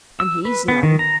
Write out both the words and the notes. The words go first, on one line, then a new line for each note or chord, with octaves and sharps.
And he's none.
E6
B4
B3
D#3
A#5